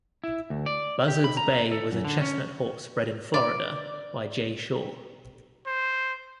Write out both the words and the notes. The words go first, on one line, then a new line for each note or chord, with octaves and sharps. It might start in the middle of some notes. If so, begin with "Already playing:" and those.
Buzzards Bay was a chestnut horse bred in Florida by Jay Shaw.
E4
D2
D5
G4
B5
A#5
A4
F#2
D3
C#4
D5
C5